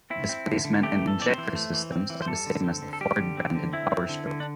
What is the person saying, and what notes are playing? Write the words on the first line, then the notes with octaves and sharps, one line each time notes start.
Displacement and injector systems are the same as the Ford branded Power Stroke.
C4 E4
C4
D3
D3
A3 G4
E3
A4
C4 D5
C5
E3
A3
E3
C4
E3
C5
G3 A4
D3
C4
D3
A4
G3 G4
D3
C4
D3
C4 E4
C4
D3
D3
D4